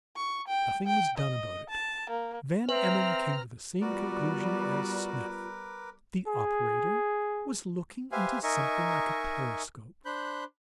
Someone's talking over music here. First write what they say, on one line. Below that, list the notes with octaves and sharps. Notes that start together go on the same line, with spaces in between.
Nothing was done about it. Van Emmon came to the same conclusion as Smith; the operator was looking into something like a periscope.
C#6
G5
G5
D#5
A5
A#3
C4 B4 E5 A#5 F6
G3 B3 F4 F#4 A#4 B4 D5 D6
G#4
G4 B4 C5 E5 F5 G#5
D#4 A#4 D#5 E5 G#5 C#6
D4 C5 B5 F#6 G6